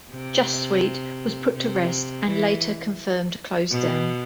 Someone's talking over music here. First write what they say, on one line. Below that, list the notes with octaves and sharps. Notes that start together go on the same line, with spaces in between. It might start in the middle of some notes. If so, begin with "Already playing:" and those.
"JustSweet" was put to rest, and later confirmed closed down.
C3
C3
E3
B2